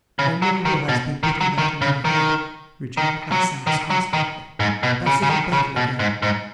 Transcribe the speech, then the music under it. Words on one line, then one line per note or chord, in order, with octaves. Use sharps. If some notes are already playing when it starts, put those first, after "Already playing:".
'I know who has been putting that in your head,' rejoined her son disconsolately; 'that's Little Bethel again.
C#3
F#3
D#3
B2
D#3
F#3
D#3
C#3
D#3
D#3
F#3
D#3
F#3
D#3
G#2
B2
C#3
C#3
D#3
C#3
B2
G#2
G#2